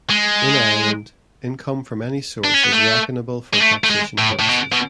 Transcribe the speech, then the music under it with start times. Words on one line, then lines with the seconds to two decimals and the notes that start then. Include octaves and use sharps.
In Ireland, income from any source is reckonable for taxation purposes.
0.10 G#3
2.45 D4
2.55 C#4
2.64 B3
2.73 A3
3.53 G#3
3.60 A3
3.84 A3
3.90 G#3
4.19 A2
4.40 A2
4.49 B2
4.72 B2